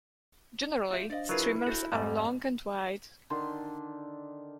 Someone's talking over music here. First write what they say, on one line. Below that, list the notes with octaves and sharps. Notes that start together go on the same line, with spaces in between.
Generally, streamers are long and wide.
F4 G4 E5
D4 C5 D5 D#5 F5
F#3 E4 F4 G#4 A#4 B4
F#4 A4 C5
F2 G#2 G3 D#5
D3 D#3 D5 C6